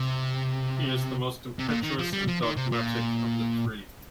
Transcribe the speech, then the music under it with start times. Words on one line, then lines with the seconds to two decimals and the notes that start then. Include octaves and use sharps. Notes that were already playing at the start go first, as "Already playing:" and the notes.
He is the most impetuous and dogmatic of the three.
Already playing: C3
1.59 C3
1.68 A#2
1.83 D#3
1.98 F3
2.13 G3
2.28 F3
2.42 D#3
2.57 C3
2.72 A#2